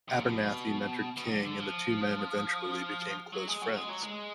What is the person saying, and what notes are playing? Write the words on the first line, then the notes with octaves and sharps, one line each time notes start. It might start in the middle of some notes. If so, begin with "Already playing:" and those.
Abernathy mentored King and the two men eventually became close friends.
A#2
D3
B2
B2
D#3
D3
D3
F3
F#3
G#3
F#3
G#3
F#3
G#3